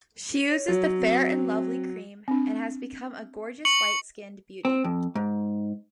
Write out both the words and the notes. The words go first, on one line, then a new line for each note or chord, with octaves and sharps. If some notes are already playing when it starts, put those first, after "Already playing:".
She uses the Fair and Lovely cream and has become a gorgeous light-skinned beauty.
C#5
F#3
C4
C4 D4
C#6 C#7 F#7
C4
F2
G#2